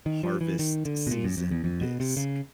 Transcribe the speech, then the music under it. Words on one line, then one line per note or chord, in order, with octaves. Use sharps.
harvest season bisque.
D#3
F3
E3
D#3
D3
B2
A#2
F#2
F2
E2
F2
B2
C3
C#3